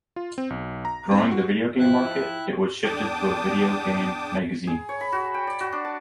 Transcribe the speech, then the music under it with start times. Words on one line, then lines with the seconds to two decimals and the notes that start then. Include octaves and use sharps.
Growing the video game market, it was shifted to a video game magazine.
0.16 F4
0.38 C4
0.50 B1
0.85 A#5
1.11 C4
1.31 F#4
1.79 F3 E4 G5 F#6
2.84 E2 D4 G5 A5 D6 D#6
4.67 G#4
4.89 C#5
5.01 B5
5.12 F#4
5.34 G5
5.47 D5
5.60 F#4
5.72 D4
5.85 A5